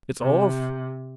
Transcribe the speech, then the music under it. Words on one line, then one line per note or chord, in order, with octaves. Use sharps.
It's off.
C3